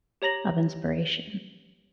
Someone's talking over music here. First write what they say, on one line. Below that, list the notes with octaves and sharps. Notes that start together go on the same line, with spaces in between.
of inspiration.
G4 C#5 A#5 A#6 F#7